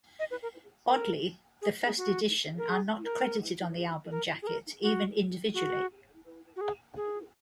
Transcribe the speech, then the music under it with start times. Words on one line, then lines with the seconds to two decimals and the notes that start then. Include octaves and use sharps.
Oddly the First Edition are not credited on the album jacket, even individually.
0.19 D#5
0.31 B4
0.42 A#4
0.90 A#4
1.62 G#4
1.86 G#4
1.97 F#4
2.58 A#4
2.69 G#4
3.04 A#4
4.11 A#4
4.42 G#4
4.47 A#4
4.83 F#4
5.54 F#4
6.56 F#4
6.61 G#4
6.96 G#4